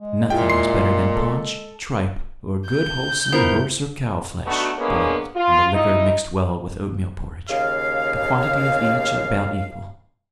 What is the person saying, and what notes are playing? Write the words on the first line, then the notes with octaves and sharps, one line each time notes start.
Nothing is better than paunch, tripe, or good wholesome horse or cow-flesh, boiled, and the liquor mixed well with oatmeal porridge; the quantity of each about equal.
G#3
A#2 E4 F4 G#4 G5
C6 C7
A4
G6
C#3 B3 E4 F4 A#4 C5
A3 B3 D4 D#4 F#4
G#3 A#3 B3 C#4 D4 G#4
F4
D#4 E4 D#5
D#2 C#3 F5